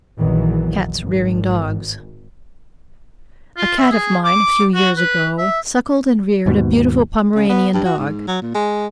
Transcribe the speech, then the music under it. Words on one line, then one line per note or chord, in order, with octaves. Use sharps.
CATS REARING DOGS.--A cat of mine, a few years ago, suckled and reared a beautiful Pomeranian dog.
A#1 E2 D#3 E3 F#3
G#1
F4
E5
G#4
D6
F#4
B4
E5
D#2 G#2 B2
C#3
B3
G2
F#4
G#2
F#3
A#2
G#3